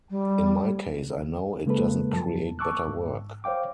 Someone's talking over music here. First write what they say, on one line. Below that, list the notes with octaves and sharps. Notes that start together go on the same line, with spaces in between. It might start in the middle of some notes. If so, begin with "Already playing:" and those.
In my case I know it doesn't create better work.
G3
C#3 G#3 A#3 A4 B4
F#2 F3 A5
A5 C#6 D6 E6 F#6
G#2
C5 C#5 F5 G5 D6